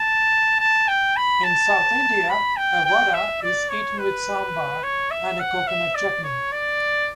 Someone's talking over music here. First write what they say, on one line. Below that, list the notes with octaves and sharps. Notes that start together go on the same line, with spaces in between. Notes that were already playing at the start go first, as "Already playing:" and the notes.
In South India, a vada is eaten with "sambar" and a coconut chutney.
Already playing: A5
A5
G5
B5
A5
B5
G5
G5
E5
D5
C#5
B4
C#5
E5
F#5
E5
D5
C#5
D5